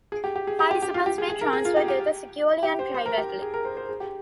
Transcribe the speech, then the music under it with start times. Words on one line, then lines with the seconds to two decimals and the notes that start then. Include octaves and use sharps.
Participants may transfer data securely and privately.
0.12 G#4
0.24 G4
0.36 G4
0.47 G#4
0.59 G4
0.71 G4
0.82 G4
0.94 F4
1.06 G4
1.18 G#4
1.30 G#4
1.41 A#4
1.53 G#4
1.65 F4
1.77 G4
1.88 G4
2.63 G4
2.79 C5
2.94 C5
3.06 A#4
3.18 G4
3.42 G#4
3.54 A#4
3.65 C5
3.77 C5
3.89 G#4
4.00 G4